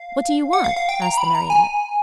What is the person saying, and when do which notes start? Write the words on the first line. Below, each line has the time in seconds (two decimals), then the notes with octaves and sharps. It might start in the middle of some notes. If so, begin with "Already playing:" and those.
"What do you want?" asked the Marionette.
Already playing: F5
0.53 F#5
0.64 F5
0.76 F5
0.89 G5
1.02 A#5
1.18 B5
1.35 A#5
1.50 G#5